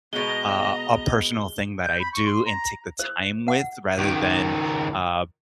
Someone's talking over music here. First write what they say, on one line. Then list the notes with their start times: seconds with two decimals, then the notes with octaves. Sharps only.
uh, a personal thing that I do and take the time with rather than, uh,
0.13 B2 G#3 B3 D#5 A#5 G7
1.83 G6
1.99 B5
2.12 C#6
2.25 C6
2.45 A#5
2.99 C5
3.48 F#5
3.98 C#2 D#3